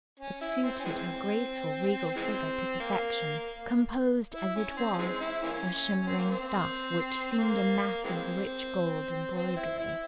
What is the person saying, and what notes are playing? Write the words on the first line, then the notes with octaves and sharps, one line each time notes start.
It suited her graceful, regal figure to perfection, composed as it was of shimmering stuff which seemed a mass of rich gold embroidery.
C#4
E4
C4
C#4
E3 G#3 C4
E3 G#3 C4
A#3
E4
C#4
C#4
C4
C#4
E3 G#3 C4
E4
E3 A#3 C#4
C4
A#3
C4
C4
A#3
E3 G#3 C4
C4
E4
E4